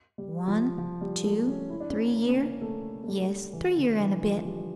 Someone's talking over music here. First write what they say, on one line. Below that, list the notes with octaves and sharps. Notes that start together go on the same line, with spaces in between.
"One, two, three year; yes, three year and a bit."
G3
F3
F3
G3
A3
C#4
E4
D4
C#4
D4
A#3
C#4
A#3
A3
A3
G3
E3
D3
E3
F3
G3